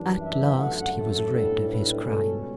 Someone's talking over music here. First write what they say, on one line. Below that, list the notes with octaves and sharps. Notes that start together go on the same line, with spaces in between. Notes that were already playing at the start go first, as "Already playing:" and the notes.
At last he was rid of his crime.
Already playing: F#2 E3 G3 D4
E5
G1 F#2 D3 A3 F#5
A4
B1 A2 G3 D4
B4
C#2 B2 G3 C#4 A4